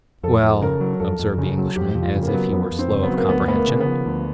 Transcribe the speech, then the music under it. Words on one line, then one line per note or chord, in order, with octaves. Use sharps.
"Well," observed the Englishman as if he were slow of comprehension.
F2 A4
F2
C#3 A#4
F#3
F2 A4
F2
C#3
F#3
F2 G4
F2
F4
C#3
A#3
B3
F#3
F2 B3
F2
C4
C#3
B3
F#3
A#3
D2 B3
A3 B3
A#3
C#3
B3
F3
D2